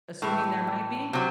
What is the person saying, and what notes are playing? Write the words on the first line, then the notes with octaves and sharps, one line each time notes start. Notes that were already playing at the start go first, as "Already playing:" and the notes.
assuming there might be,
A2 E3
C3 F#3